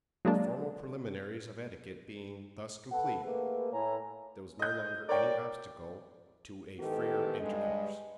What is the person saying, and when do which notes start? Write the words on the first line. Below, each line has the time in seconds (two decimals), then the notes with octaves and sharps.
The formal preliminaries of etiquette being thus complete, there was no longer any obstacle to a freer intercourse.
0.25 F#3 G#3 A#3 D4
2.92 A4 B4 F#5
3.25 A3 A#3 G#4 B4
3.73 A2 E4 C#5 G#5 A#5
4.59 D#5 G6
5.09 A#4 C#5 D5 G5
6.80 G#2 D#3 E3 B3 G4 A4
7.41 G2 G#3 D#5